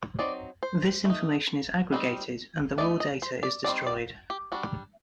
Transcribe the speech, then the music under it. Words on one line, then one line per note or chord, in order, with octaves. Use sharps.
This information is aggregated, and the raw data is destroyed.
F#3 C4 D#4 D5
C5
A3 D#4
G3 C4 D#4
A3 D#4 D5
D#5
C5
D5
D#3 G3 C4 D#4 D5
D5
G4
G3 D4 F#4